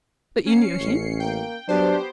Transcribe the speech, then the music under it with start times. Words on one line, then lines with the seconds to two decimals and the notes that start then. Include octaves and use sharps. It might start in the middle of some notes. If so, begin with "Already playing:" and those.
"But you knew him?"
0.46 C#4 C7 C#7
0.81 A1
1.20 A#3 G5
1.69 F#3 B3 D4 G4 C5